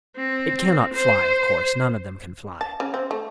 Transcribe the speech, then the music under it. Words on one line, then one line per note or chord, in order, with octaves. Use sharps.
It cannot fly, of course: none of them can fly....
C4
C5
A5
C#3
C4
A3